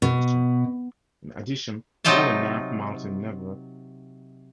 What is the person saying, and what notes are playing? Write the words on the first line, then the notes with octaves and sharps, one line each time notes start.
In addition, while a nymph moults it never enters a pupal stage.
B2
C3 F#3 D#4 F4 G5 A5